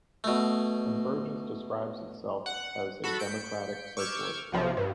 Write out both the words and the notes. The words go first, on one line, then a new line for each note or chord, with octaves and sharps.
Convergence describes itself as a democratic socialist party.
B2 A3
F#5
F#4 A4 B5
G6 B6 C#7 D7
C#6 D6 E6 F6 G6 G#6
B1 C3 F3
G2